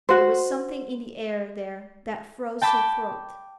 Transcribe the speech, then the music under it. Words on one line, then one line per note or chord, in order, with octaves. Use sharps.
There was something in the air there that froze her throat.
F#4 C5
G5 A5 B5 D6